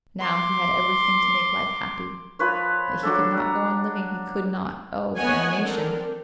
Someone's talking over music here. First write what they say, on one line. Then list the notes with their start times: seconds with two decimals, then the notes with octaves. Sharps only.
Now he had everything to make life happy ... but he could not go on living, he could not; oh, damnation!
0.21 C6 D6
2.39 F3 B4 C#5
3.03 F#3 D4 A4
3.38 A#5
5.16 A3 B3 C#5 D#5 F#5 G#5
5.62 C4 D4 A4 A#4